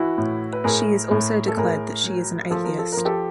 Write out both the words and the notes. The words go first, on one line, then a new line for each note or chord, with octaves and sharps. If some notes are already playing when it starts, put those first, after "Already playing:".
She has also declared that she is an atheist.
Already playing: E3 E4 F#4
A2
B4
A2 G#4 A#4
A2
A4
A2 G#4 A#4
F#3
F3 A4
A#4
A4
F3 A#4
G4 A4